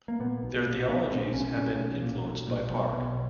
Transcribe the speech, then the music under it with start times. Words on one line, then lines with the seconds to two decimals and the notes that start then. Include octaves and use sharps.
Their theologies have been influenced by Park.
0.08 A#3
0.20 A#2 B3
0.43 B1
0.66 A#2
0.88 B1 B3
1.11 A#2 C4
1.34 B1 C#4
1.56 A#2 C#4
1.79 B1
2.02 A#2
2.25 B1
2.47 A#2
2.70 B1
2.93 B2